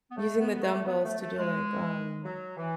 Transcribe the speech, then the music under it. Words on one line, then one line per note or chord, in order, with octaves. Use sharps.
using the dumbbells to do, like, um,
B3
A3
B3
A3
B3
A3
A3
G#3
F#3
E3